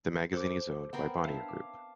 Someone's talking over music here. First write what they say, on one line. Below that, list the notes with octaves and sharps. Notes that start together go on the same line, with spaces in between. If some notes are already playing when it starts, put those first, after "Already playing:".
The magazine is owned by Bonnier Group.
A4 C5 D6
B3 C4 A#4 F#5
D4 E5 F5 A5
D6